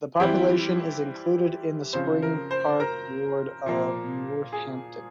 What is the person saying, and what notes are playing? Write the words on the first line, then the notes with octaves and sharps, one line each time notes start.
The population is included in the Spring Park ward of Northampton.
E3 G3 C4 E4 G4 G5
C#3 F3 C4 C5
A#4
C5
A#4 A#5
A#2 F3 A#3
G#4 G#5